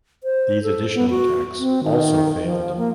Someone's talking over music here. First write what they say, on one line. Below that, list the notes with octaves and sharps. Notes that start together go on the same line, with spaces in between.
These additional attacks also failed.
C5
A4
B3
F#4
C4
D#3
F3
A#3